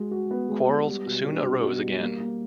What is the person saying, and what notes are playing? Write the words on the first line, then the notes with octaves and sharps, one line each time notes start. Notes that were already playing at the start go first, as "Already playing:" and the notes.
Quarrels soon arose again.
Already playing: G#3 F#4
F#4
B3
G#3
B3
G3
B2
D4
B2
B2
G3
A#3
A#3